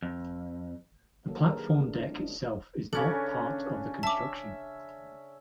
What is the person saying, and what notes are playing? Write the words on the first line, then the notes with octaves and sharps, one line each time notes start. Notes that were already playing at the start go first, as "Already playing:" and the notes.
The platform deck itself is not a part of the construction.
F2
D#3 F#3 G3 A#3 A4 C#5
D#3 D4 G4 G#4 A#4 B4
G#4
G#3 A3 B3 D4 F4 A#4
C4 D4 E4 F4 G#4 D5
C#4 F#4 D5 D#5
C#3 C#4 D4 A4
E5 A5 D6